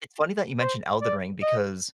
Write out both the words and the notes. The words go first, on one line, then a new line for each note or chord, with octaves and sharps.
it's funny that you mentioned Elden Ring because,
C5
D5
D#5